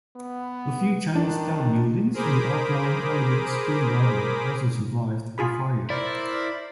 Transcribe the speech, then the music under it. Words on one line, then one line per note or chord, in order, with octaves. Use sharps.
A few Chinese-style buildings in the outlying Elegant Spring Garden also survived the fire.
B3
D#3 D4
G#4 A#4 C5 B5 D6 D#6
F4 G#4 B5
E4 A#4 C5 D5 D6